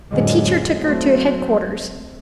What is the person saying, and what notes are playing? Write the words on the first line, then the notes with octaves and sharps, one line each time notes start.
The teacher took her to headquarters.
F2 A2 D3 F#3 G#3 B3
F#3 A3 C4